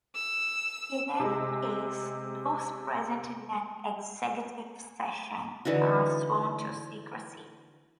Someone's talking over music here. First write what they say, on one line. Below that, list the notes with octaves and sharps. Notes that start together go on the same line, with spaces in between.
In any case, those present in an executive session are sworn to secrecy.
E6
C3 G#3
D3 E3 D#4 F#4